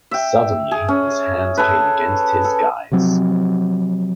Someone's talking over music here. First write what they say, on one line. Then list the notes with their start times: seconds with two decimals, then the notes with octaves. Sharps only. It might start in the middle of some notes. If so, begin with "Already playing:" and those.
Suddenly his hand came against his guide’s.
0.11 E5 G5
0.71 G#4
0.88 C#4
1.57 G#4 A4 B4
2.44 A4
2.92 C3 F3 F#3 C4